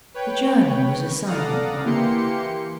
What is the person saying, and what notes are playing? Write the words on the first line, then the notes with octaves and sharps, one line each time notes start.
The journey was a silent one.
B4 C#5 G5
A4 D5 F5 F#5 A#5 D#6
E3 A#3 G4 C6 C#7